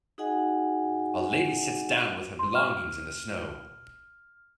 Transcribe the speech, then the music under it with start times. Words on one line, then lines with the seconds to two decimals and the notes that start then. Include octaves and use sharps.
A lady sits down with her belongings in the snow.
0.18 D#4 F#4 G#4 D#5 F#5 G#5
2.39 C6
2.55 F6